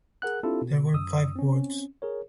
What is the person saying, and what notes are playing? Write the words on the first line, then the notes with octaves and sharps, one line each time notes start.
There were five wards.
G#4 A#4 F#5 F#6
C4 D4 E4 F4 G4 A4
B2
F#2 D#6 E6
C4 C#4
G#4 A#4 C#5